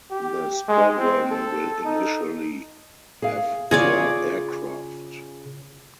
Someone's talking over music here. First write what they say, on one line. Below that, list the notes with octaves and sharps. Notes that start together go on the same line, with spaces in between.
The squadron will initially have four aircraft.
G4
G#3
C4
A4
D#4
G#4 F5
C#3 F4 G#4 C#5 D5